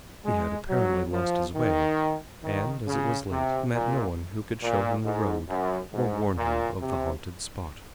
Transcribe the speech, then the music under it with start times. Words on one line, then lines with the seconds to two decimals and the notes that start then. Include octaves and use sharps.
He had apparently lost his way, and as it was late he met no one who could show him the road or warn him of the haunted spot.
0.24 G#3
0.69 F#3
1.11 F3
1.55 D#3
2.43 D#3
2.86 C#3
3.30 C3
3.73 A#2
4.61 A#2
5.04 G#2
5.48 F#2
5.93 G#2
6.35 A#2
6.80 C3